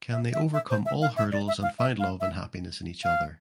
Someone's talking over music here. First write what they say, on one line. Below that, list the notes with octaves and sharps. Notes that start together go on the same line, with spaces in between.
Can they overcome all hurdles and find love and happiness in each other?
E5
E5
E5
C5
E5
F5
E5
D5
E5
F5
E5
F5
E5
F5